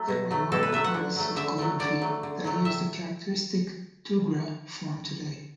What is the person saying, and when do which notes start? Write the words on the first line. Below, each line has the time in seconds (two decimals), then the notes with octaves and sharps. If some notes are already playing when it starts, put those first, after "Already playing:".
There are modern artists of calligraphy that use the characteristic tughra form today.
Already playing: F#3 A3
0.08 B2
0.31 F#3 A3
0.52 B2 A4
0.63 B4
0.72 F#3 A3 E5
0.84 F#5
0.94 D3
1.16 F#3 A3
1.36 D3 E5
1.58 F#3 A3
1.80 D3 D5
2.01 F#3 A3
2.23 D3
2.44 F#3 A3
2.65 A2 E5